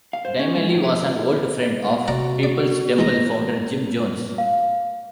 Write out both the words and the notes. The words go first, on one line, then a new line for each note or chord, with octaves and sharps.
Dymally was an old friend of Peoples Temple founder Jim Jones.
F5
C5
C#4
G#3
A2
B4
C3 F#4 D5 F#5 A#5
D5
E3 G#3 D#4 A#6
F5